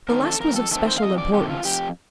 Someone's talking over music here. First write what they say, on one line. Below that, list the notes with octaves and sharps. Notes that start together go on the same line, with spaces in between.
The last was of special importance.
D#3 A3 C4 A#4
A4
F2 A#4
A4
D#3 A3 C4 A4
C5
F5
F2 D#5
D5
D#3 A3 C4 G4
F4
F2 G4